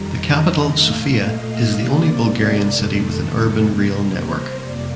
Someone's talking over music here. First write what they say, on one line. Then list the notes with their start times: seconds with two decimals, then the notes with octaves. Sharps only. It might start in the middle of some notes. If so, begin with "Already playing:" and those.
The capital Sofia is the only Bulgarian city with an urban rail network.
Already playing: F2 D#3 G3 A#5
0.31 D#5
0.79 A#2 A3 F5
1.27 D#5
1.74 C3 G3 A#3 D5
2.69 F2 C3 D#3 A3 A4
3.65 C3 G3 A#3 A#4
4.13 C5
4.60 F2 C3 G3 A#3 D5